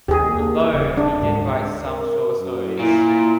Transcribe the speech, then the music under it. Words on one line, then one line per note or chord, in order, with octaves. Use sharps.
Although, he did write some shorter stories.
D#2 G4 G#4
A#3
D#1 C#3
D4
D2 G#2 G#3
A#4
F#2
A#2 E4